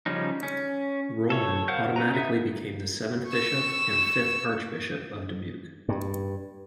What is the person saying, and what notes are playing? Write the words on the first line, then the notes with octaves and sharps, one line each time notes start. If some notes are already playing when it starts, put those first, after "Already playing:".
Rohlman automatically became the seventh bishop and fifth archbishop of Dubuque.
C#3 F3 G3 C#4 D#4
C#4
A4 C#5
A#4 C5 F5 F#5 G6
C#4 B4 A#5
B3 D#4 E5
C#6 E6
G2